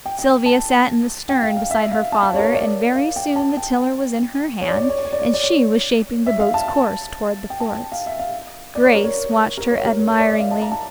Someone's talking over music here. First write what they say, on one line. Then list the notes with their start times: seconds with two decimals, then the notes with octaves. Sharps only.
Sylvia sat in the stern beside her father, and very soon the tiller was in her hand and she was shaping the boat's course toward the forts. Grace watched her admiringly.
0.06 G5
0.19 G5
0.46 A5
1.29 G5
1.43 F5
1.57 F5
1.71 E5
1.91 F5
2.12 A5
2.23 F5
2.33 C#5
2.39 A#4
2.43 C#5
2.54 D5
2.96 F5
3.16 G5
3.36 A5
3.57 G5
4.61 C#5
4.68 D5
4.75 C#5
4.82 D5
4.89 C#5
4.98 D5
5.05 C#5
5.12 D5
5.19 C#5
5.34 D5
5.44 C#5
6.26 E5
6.40 F5
6.54 A5
6.68 A5
7.50 G5
7.60 A5
7.71 G5
7.92 F5
8.06 E5
8.19 F5
8.75 D5
8.85 C#5
8.95 A#4
9.04 C#5
9.57 A#4
9.71 C#5
9.86 A#4
9.99 C#5
10.09 C#5
10.19 D5
10.30 E5
10.40 F5
10.51 A5
10.62 A#5
10.72 A5